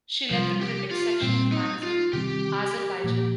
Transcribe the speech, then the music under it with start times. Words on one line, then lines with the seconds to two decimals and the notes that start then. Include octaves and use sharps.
She led the critics section of the magazine "Azerbaijan".
0.30 C3 F3 G3 C4
0.61 G4
0.91 F4
1.21 A#2 G3 A#3 C4
1.52 D#4
1.83 F4
2.13 C3 D#3 G3 C4 G4
3.04 A#2 F3 A#3